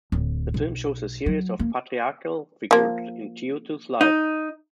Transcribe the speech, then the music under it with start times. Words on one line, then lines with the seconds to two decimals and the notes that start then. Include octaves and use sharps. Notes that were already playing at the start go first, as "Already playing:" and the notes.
The film shows a series of patriarchal figures in Tietou's life.
0.12 D1
0.54 B1
1.26 F#3
1.59 A#3
2.71 F3 A#3
4.01 D#4